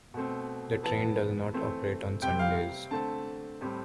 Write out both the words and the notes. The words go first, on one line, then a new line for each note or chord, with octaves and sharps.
The train does not operate on Sundays.
B2 A3 C4
E3 B3 A5
E3 A3 C4
C3 G3 C4 G5
F5
F5
D3 A3 C4 A5
A2 G3 C4